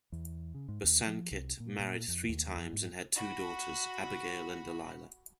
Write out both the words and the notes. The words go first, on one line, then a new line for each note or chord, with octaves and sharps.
Bosanquet married three times and had two daughters, Abigail and Delilah.
E2
C#3
G#2
D#2
F3
C2
A#2
A#2
F2
D#2
F2
G#2
F#4 B5